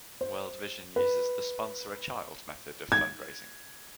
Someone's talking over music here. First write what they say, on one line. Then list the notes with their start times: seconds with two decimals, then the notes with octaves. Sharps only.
World Vision uses the Sponsor a Child method of fundraising.
0.21 C5
0.96 B4
2.92 G#6